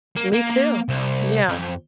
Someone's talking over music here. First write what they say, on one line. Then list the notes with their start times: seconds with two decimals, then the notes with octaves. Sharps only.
Me too. Yeah.
0.16 A#3
0.33 A#3
0.51 A#3
0.89 C2
1.49 F2